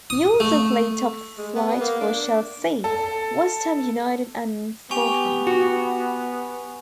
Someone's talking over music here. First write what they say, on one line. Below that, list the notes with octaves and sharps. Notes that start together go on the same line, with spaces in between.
He also played top flight for Chelsea, West Ham United and Fulham.
D#6
A3
G#3
B3
B3
A#3
D4
A4
B3 G4 G#5 C#6 F7
F#4